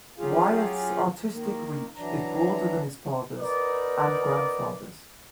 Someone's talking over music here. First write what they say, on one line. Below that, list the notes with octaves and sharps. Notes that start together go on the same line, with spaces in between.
Wyeth's artistic reach is broader than his father's and grandfather's.
F#3 C#4 F4 G4 G#4 F5
D#3 A#3
E3 F#3 D4 A#5
D#4 F#4 A#4 B4 D5